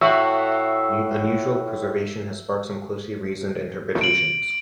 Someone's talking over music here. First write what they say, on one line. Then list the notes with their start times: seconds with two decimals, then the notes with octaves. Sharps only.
Unusual preservation has sparked some closely reasoned interpretations.
0.01 A2 F#4 E5
4.01 D7 F#7